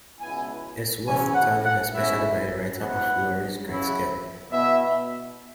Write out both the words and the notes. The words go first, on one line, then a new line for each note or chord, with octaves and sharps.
It's well worth telling, especially by a writer of Lowry's great skill.
C#2 B2 B3 E4 G#5
E2 C#3 F#3 C#4 E4 G#5
F#5
F#5
B2 G#3 C#4 E4 E5
E2 E3 B3 E4 F#5
C#3 F#3 E4
B2 B3 E4 E5